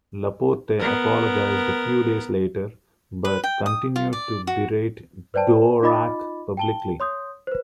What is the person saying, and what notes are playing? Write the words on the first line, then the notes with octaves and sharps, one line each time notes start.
Laporte apologized a few days later, but continued to berate Dvorak publicly.
B3 A#4
B4
G5
D#6
F4
D5
F#4
B4 C5 D5 G5 A5
D#4 F4 D#5 B5 D6 A6
G5 A5 G7
C#5 C6 D#6 G6
B4 C5